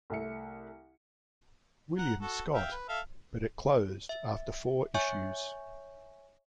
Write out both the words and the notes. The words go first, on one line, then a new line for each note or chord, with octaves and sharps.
William Scott; but it closed after four issues.
C2 A3 E5 C#7
F#5 A#5
F#4 A4
E5 F5 G5
B4
A4 E5 F5
E5
C#5 E5 G#5 C#6 G6